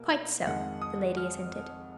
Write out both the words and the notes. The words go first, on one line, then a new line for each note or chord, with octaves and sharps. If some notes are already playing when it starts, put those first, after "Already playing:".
"Quite so," the lady assented.
Already playing: B2 A#3
F2 D#3 G#3 F#5
D#6
F6